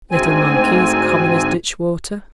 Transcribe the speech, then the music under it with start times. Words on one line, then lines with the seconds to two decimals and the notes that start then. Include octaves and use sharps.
Little monkeys common as ditchwater.
0.11 D2 G#2 C4 G#5